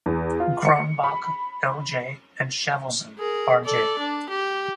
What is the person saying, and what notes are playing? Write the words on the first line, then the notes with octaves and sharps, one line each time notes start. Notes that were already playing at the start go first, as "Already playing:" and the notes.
Cronbach, L. J., and Shavelson, R. J.
E2
F4
C#7
B5
G#4 A#4
A4 D5
D4
G4